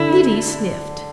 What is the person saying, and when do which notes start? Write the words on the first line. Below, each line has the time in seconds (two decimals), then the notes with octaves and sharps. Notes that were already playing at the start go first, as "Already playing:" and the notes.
Liddy sniffed.
Already playing: D3 E4